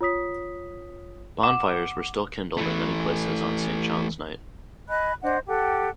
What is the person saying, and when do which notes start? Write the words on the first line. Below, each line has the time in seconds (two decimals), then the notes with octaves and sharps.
Bonfires were still kindled in many places on St. John's Night.
0.01 F4 C#5 D#6 B6
1.43 F#5 D6 E7
2.57 E3 A3
4.88 D#5 G#5 B5 F#6
5.23 D4 C5 D#5 F#5
5.46 G4 A4 F#5 G5